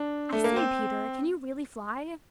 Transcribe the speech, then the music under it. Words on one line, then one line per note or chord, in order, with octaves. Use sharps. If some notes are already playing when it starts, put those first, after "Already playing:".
"I say, Peter, can you really fly?"
Already playing: D4
A3
A#3
C4